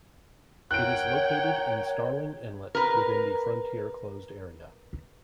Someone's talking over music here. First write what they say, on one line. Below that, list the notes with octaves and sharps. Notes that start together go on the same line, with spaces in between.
It is located in Starling Inlet, within the Frontier Closed Area.
A#4 C#5 F#5 G5 F#6 D7
A#4 B4